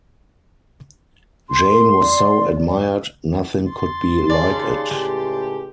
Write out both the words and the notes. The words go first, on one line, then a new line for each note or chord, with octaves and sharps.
Jane was so admired, nothing could be like it.
C6
A#4
D5
C6 A6
D#2 C#3 G#4 D5 G#5 A5
C#2 A2 G4